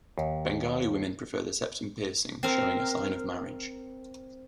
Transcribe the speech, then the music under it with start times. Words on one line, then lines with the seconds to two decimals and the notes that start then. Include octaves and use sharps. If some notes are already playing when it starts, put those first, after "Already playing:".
Bengali women prefer the septum piercing showing a sign of marriage.
0.18 D#2
2.43 C4 A#4